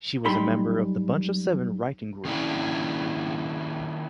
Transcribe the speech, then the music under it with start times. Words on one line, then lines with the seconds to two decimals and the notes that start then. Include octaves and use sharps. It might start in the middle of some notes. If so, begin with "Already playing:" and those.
She was a member of the Bunch of Seven writing group.
0.25 F#2 G3 D#4 B5 C6
2.25 D#3 A#3 C#4 D4 E4